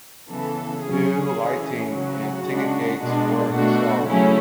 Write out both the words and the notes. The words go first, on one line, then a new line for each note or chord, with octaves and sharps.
New lighting and ticket gates were installed.
C#3 E3 B3 A4
C#3 F#3 C#4 G#4
E3 A3 C#4
C#3 F#3 C#4 F#4
C#3 G#3 D4
B2 G#3 D4
B2 A3 D4 F#4
C#3 F#3 A3 C#4 E4